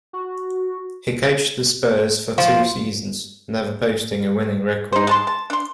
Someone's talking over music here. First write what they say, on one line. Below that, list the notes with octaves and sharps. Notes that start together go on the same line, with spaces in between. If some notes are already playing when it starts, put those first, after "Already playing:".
He coached the Spurs for two seasons, never posting a winning record.
F#4
F3
D#4 C5
G#3 A5 C6
A5
D4 C6